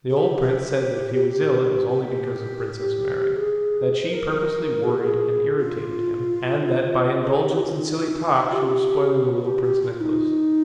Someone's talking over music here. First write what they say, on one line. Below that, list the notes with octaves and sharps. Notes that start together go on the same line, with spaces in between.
The old prince said that if he was ill it was only because of Princess Mary: that she purposely worried and irritated him, and that by indulgence and silly talk she was spoiling little Prince Nicholas.
G#4
G4
G4
G4
G4
G#4
C5
A#4
G#4
G4
G#4
F4
G#4
G4
G4
F4
D#4
D#4
F4
G4
F4
G4
G4
F4
D#4